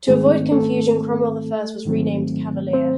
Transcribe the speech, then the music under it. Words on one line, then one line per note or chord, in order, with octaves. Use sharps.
To avoid confusion Cromwell I was renamed "Cavalier".
G#2 D#3 G#3 A3 C4 G#4
A3 A4
G#2 D#3 F#3 A3 C4
C4 C5